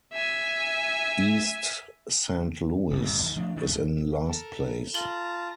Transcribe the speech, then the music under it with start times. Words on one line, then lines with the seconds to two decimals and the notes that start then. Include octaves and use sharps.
East Saint Louis is in last place.
0.13 E5 G#5
2.91 F#1 D2
3.04 D1 G2 C4
3.22 D#2 D#3
3.36 F3 A3 D4
3.56 D#3 F3 G3 D4
3.68 C#2 G2 A#2
4.26 A4 A#4
4.94 F4 A5 A#5 F#7 G7